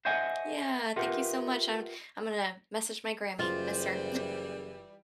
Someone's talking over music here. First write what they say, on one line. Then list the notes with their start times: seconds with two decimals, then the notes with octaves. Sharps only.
Yeah, thank you so much, I'm I'm gonna message my Grammy, miss her.
0.05 C5 C#5 D#5 E5 F#5 G#5
0.96 F4 G4 A#4 B4 E5 F#5
3.39 F#1 E3 G3 F4 C5